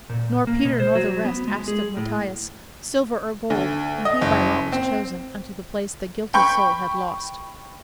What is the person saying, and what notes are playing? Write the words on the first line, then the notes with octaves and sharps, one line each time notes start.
Nor Peter nor the rest asked of Matthias Silver or gold, when he by lot was chosen Unto the place the guilty soul had lost.
A#2
A#3
B2
C5
F#3
B3
G#3
G#4
A2
D2
D#5
F#1
C4
G5 B5 C#6 G6